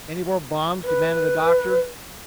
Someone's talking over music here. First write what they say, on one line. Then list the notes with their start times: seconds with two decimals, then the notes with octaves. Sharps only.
"Any more bombs?" demanded the doctor.
0.84 B4